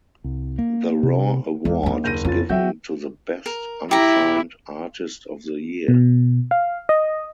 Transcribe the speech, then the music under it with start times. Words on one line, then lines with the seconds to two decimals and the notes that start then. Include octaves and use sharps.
The Raw Award is given to the best unsigned artist of the year.
0.24 C2
0.58 A#3
1.03 C3
1.65 E2 G#3
1.83 D#2 D4
2.04 F#1 G6 A#6 D#7
2.25 F2 C#4 F4 A6
2.49 F#3 F#4 E5 G5 G6
3.46 A#4
3.91 E4 G4 A#5
5.88 B2
6.51 F5
6.89 D#5